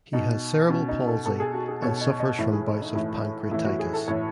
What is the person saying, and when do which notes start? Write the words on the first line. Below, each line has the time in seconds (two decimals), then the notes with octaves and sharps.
He has cerebral palsy and suffers from bouts of pancreatitis.
0.13 B2 D#4
0.69 B2 C#4
0.88 D#4
1.07 A4
1.25 B2 A4
1.40 G#4
1.54 F#4
1.68 G#4
1.82 B2 C#5
2.01 D#5
2.20 D#5
2.38 A2 E3 E4
2.53 G#4
2.67 D#4
2.81 D#4
2.95 A2 E3
3.51 A2 E3 E4
3.65 F#4
3.79 G#4
3.94 A4
4.08 A2 E3 C#5